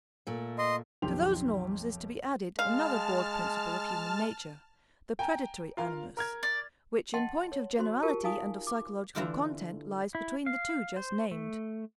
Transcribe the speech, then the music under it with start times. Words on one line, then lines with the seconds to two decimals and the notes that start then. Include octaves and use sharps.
To those norms is to be added another broad principle of human nature--the predatory animus--which in point of generality and of psychological content lies between the two just named.
0.27 A#2 A3
0.58 D#5 C6
1.02 B1 F2 D#3 G4 C6 F7
2.59 G#3 F5 A5 F6
5.19 G5 G#5 A#5
5.77 F4 A#4 F5
6.17 A#4 F6 G#6
6.43 D5
7.14 D#5 F#5 G5 A5 C6
7.52 C#5
7.79 F#4 C5 C6
8.02 F4 G4 A#4 A5
8.24 D#4 F5 G#5 D#6
8.67 D6
9.15 D3 E3 A3 E4 F4 G4
10.15 E4
10.46 F5
10.96 C5
11.31 A3